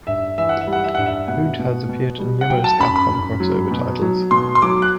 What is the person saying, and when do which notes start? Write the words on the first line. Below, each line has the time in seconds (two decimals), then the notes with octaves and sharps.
Hood has appeared in numerous Capcom crossover titles.
0.07 G2 E5
0.38 E3 E5
0.49 F#5
0.61 E5
0.67 G3
0.73 F#5
0.84 E5
0.95 G2 F#5
1.06 E5
1.28 B2 F#5
1.59 B2
1.89 B2
2.19 G3
2.41 F#5
2.50 F#3 G5
2.64 A5
2.80 F#2 B5
2.96 B5
3.10 F#2
3.40 F#3
3.71 B2
4.02 F#3
4.31 B2 C6
4.55 C6
4.62 F#3 D6
4.82 F#6